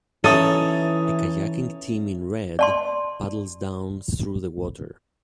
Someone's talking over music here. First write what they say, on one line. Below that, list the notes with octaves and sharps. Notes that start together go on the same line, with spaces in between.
A kayaking team in red paddles down through the water.
E3 C#4 D#4 E4 A4 D#6 A6 D#7
D5 A5 C6